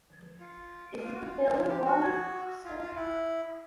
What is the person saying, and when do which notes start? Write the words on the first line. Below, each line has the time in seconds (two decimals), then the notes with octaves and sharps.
Is it the bill you're wanting, sir?
0.40 F4
1.04 F4
1.14 F#4
1.23 F4
1.69 G4
1.85 F#4
2.64 F4
2.80 F4
2.96 E4